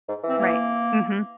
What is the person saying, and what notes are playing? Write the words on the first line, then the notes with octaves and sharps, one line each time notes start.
Right, mhm.
G#2
E3
C4
A#3